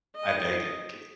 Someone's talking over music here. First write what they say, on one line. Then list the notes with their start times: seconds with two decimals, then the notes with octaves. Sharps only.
I begged him. "Ca
0.16 D#5